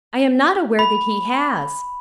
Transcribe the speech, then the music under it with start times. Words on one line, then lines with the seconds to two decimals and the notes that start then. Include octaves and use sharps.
"I am not aware that he has."
0.79 B5